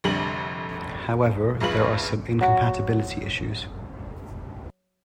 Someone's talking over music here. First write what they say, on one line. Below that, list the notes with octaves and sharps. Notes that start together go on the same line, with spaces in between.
However, there are some incompatibility issues.
F1 A#1 F2 D3 G3 F#7
A#1 F2 G#3 F4 B4 F#7
F#3 F#4